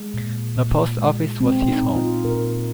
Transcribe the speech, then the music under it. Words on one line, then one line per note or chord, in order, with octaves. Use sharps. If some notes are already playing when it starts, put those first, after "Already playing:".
The post office was his home.
Already playing: G#3
A#2
A#2
G#3
G#3 C4
D#4
A#2
F4
A#2 A#4